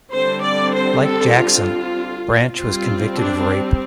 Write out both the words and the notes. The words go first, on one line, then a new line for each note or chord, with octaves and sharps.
Like Jackson, Branch was convicted of rape.
D3 G3 C4 C5
D5
C5
A4
F4
G3 C4 F4
D4